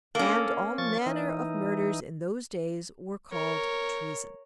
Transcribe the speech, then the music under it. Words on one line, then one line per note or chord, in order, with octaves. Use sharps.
And all manner of murders in those days were called treason.
A#3 C#4 A4
F3 C#6 A6
E3 D#4
A#4 C#5